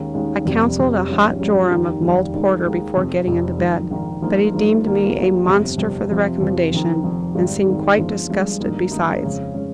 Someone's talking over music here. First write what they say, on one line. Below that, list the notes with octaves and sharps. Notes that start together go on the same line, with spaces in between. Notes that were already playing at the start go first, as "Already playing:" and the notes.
I counselled a hot jorum of mulled porter before getting into bed; but he deemed me a monster for the recommendation, and seemed quite disgusted besides.
Already playing: D#2 D#3 G#3 C#4
D#2 D#3 G#3 C#4
F1 F2 C3 G3
F1 F2 C3 G3
A#1 G#2 G3 C#4
A#1 G#2 G3 C#4
F1 D#2 D#3 G3
F1 D#2 D#3 G3
D#2 D#3 G#3
D#2 D#3 G#3
F1 F2 C3
F1 F2 C3
A#1 G#2 D#3
A#1 G#2 D#3
G2 F3 A#3 D#4
G2 F3 A#3 D#4
D#2 D#3 G3 A#3
D#2 D#3 G3 A#3
G1 F2 C3 G3
G1 F2 C3 G3
F2 C3 F3
F2 C3 F3
F1 F2 D#3
F1 F2 D#3
G#1 G#2 D#3 G3
G#1 G#2 D#3 G3
G1 G2 F3 G#3
G1 G2 F3 G#3
G2 D#3 A#3 D#4
G2 D#3 A#3 D#4
F2 C#3 G#3 C#4
C#3 G#3 C#4